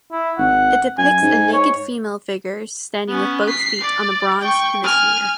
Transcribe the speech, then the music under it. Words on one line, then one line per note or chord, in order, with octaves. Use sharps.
It depicts a naked female figure standing with both feet on a bronze hemisphere.
E4
G#1 F#5
F#2 G#5
G#2
C#5
B3 C#4
B6 C7
D5
G5 C#6
G#5 F6